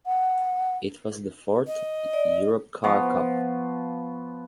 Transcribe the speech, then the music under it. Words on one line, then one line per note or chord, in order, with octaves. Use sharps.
It was the fourth Europcar Cup.
F#5
D#5
D5
F3 B3 C#6